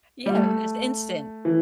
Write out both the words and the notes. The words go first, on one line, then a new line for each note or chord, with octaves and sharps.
Yeah, and it's instant.
G3
A3
E3